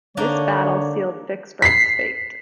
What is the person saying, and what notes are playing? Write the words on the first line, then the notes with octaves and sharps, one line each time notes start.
This battle sealed Vicksburg's fate.
D3 A#3 D4 D#4 C#5
B6 C7